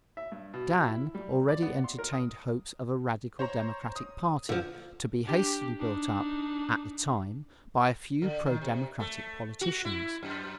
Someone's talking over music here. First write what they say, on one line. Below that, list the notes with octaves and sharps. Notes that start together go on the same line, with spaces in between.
Dan already entertained hopes of a radical-democratic party to be hastily built up, at the time, by a few pro-democratic politicians.
E5
G2
B2
F3
E4
G3
D5
B3
C6
A#4
D#6
C5 C#5 A#5
D#6
D3 F3
D4 G4
D4 D#4
D3
D#3
C3
A3
F#4
E4
F#2